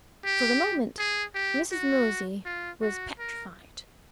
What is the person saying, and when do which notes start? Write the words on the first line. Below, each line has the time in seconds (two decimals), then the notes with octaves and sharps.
For the moment, Mrs. Mosey was petrified.
0.25 G4
0.99 G#4
1.35 G4
1.72 F#4
2.45 F4
2.82 F#4
3.19 A#4